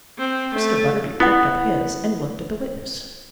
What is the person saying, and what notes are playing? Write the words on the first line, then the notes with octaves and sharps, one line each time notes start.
Mr. Butterby pricked up his, and looked at the witness.
C4
A3
B3 E4 F#5